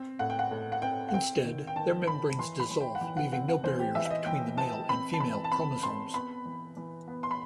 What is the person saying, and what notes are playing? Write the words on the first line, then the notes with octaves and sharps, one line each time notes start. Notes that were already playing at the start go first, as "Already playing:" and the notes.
Instead, their membranes dissolve, leaving no barriers between the male and female chromosomes.
Already playing: C4
A2 F#5
G5
F#5
A2
F#5
C4 G5
F#5
C4 G5
D#3
G5
D#3 A5
D#3 B5
E3 C6
B5
E3
G5
F#5
E3 G5
F#5
C4 F#5
F#5
E3 C5
G4
E3 E5
E5
D#5
E3 G5
E3 A5
C4 B5
A5
E3 B5
A5
C4 B5
C4 C6
B3 B5
E3
E3
B3
C6
B5